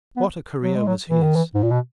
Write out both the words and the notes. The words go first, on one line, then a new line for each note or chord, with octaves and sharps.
What a career was his!
B3
F#3
G#3
F#3
E3
D#3
E3
G#2
A#2
B2